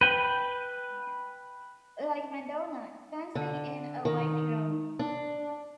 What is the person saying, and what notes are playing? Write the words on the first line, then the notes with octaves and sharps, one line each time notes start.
Like Madonna, dancing in a white room.
B4 G5
D3
D#3
D4